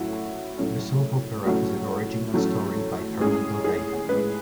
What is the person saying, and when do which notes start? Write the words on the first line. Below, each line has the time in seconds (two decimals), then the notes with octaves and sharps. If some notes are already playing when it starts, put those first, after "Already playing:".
The soap opera is an original story by Fernando Gaitan.
Already playing: A2 F#3 A3 C#4 E4 F#4
0.58 A2 F#3 A3 C#4
1.45 A2 F#3 A3 C#4 F#4
2.33 A2 F#3 A3 C#4
3.21 A2 G#3 C#4 G#4
3.64 G#4
4.09 A2 G#3 C#4 B4